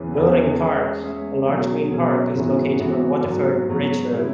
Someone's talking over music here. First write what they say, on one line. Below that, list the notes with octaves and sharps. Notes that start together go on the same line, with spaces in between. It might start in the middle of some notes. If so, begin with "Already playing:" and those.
Bowring Park, a large green park, is located on Waterford Bridge Road.
Already playing: E2 E3 C#4 G#4 B4
E2 E3 C#4 G#4 B4
G#3 C#4 G#4 C#5 E5
G#3 C#4 G#4 C#5 E5
B2 F#3 C#4 G#4
B2 F#3 C#4 G#4
G#2 E3 B3 F#4 E5
G#2 E3 B3 F#4 E5
G#2 F#3 B3 F#4
G#2 F#3 B3 F#4
G#3 C#4 E4